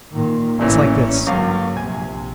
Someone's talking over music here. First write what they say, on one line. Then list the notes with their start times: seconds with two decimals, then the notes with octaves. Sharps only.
It's like this.
0.14 A#2 D#3
0.59 A1 G2 A#2 E3 C#4
1.27 G1 C#2 F#3 A#3 F5 C#6
1.77 A#1 G2 C3 G#5